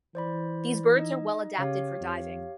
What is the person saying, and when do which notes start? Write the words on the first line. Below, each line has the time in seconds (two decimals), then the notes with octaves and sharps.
These birds are well adapted for diving.
0.15 E3 C5 D5 B5
0.96 D#4 D#5
1.58 C#3 G4 C#5 F5
2.01 F2